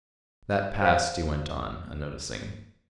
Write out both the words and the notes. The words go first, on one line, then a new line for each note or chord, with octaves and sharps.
"That passed," he went on, unnoticing.
C5 F5